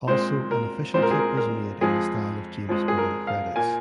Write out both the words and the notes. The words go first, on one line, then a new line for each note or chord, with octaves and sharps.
Also an official clip was made in the style of James Bond credits.
A#2 G#3 C4 C5
A#4
A#2 G#3 C4 C5
A#4
G#4
A#4
A#4
F2 F3 G#3 G#4
F2 F3 G#3
G#4
A#4
F5
A#2 A#3 G#5